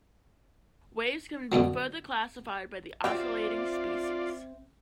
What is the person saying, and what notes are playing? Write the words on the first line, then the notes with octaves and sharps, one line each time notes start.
Waves can be further classified by the oscillating species.
F#2 B2 D3 F#3
F#3 C4 F4 G4 C5 D5 E5